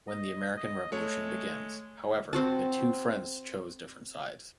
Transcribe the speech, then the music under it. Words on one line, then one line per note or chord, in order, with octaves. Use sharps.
When the American Revolution begins, however, the two friends choose different sides.
D#5
D#5
G#3 A3 C#5
C4 F#4 A5